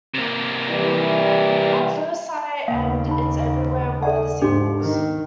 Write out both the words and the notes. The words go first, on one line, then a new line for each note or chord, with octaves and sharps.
"At First Sight" and "It's Everywhere" were the singles.
C3 A#3
E3 G3
D#2 C#3 A#3 F5
D#4 B5
A4 D5 F#5 G#5
G#2 D4 F#4 G4
D#3